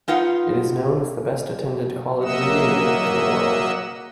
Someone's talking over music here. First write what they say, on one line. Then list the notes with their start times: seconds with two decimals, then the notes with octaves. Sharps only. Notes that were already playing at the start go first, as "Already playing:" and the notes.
It is known as the best-attended college reunion in the world.
0.08 D#4 F4 B4 F#5
2.22 F#3 A#3 D#5 E5 F#5 E6